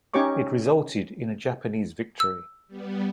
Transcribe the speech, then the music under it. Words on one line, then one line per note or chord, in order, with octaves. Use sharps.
It resulted in a Japanese victory.
C#4 D#4 G4 C#5 C#6 D6
E6
G3 B3